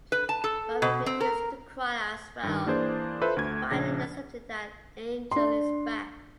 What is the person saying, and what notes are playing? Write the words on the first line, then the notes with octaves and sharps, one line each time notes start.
Buffy begins to cry as well, finally accepting that Angel is back.
B4
A5
A4
B2
C4
A#4
G2 D#3
E3 A#3 D4 G#4 C5 D5
F4 A4 B4 C5 E5
D2 A3 G#6
A#1 C#3 D4 A#6
D4 C6